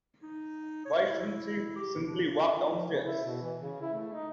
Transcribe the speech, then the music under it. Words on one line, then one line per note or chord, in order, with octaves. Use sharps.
Why shouldn't she simply walk downstairs?
D#4
C#5
E4
G4
D4
F4
F3
C#3
E4
B2
E3
C#3
E4
A3
D#4